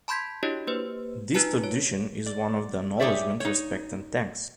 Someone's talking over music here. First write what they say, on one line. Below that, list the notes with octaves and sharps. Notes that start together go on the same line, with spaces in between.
This tradition is one of acknowledgment, respect, and thanks.
A5 B5 C6 G6 G#6 B6
D4 E4 F#4 G4 C#5 D#5
A#3 G4 B4 C5
D#4 F4 B4 A5 C#7
C#5
D5
D#4 G4 G#4 C#5 D5 E5
D#4 C#5